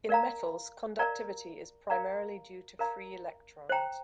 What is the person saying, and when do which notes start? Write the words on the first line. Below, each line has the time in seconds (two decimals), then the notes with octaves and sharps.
In metals conductivity is primarily due to free electrons.
0.09 A#4 D5 F5 A#5
0.99 A#4 D5 F5 A#5
1.90 A#4 D5 F5 A#5
2.79 A#4 D5 F5 A#5
3.69 C5 G5 A#5